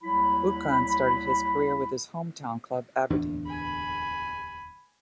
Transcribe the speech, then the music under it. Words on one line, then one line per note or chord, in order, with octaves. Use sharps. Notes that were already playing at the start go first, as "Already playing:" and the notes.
Buchan started his career with his home town club, Aberdeen.
D#2 F#3 G3 E4 B5
D1 E2 D4
G#5 B5